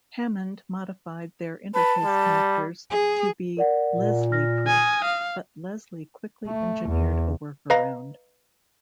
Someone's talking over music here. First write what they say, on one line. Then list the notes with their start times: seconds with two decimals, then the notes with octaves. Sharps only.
Hammond modified their interface connectors to be "Leslie-proof", but Leslie quickly engineered a workaround.
1.75 B4 A5
2.04 G3
2.91 G#4
3.57 A#4 D5 F#5
3.93 A#2
4.32 F6 A#6
4.67 G#5 D#6
5.05 F5
6.47 A3
6.89 E2
7.70 B4 D#5 F5 A#5 A#6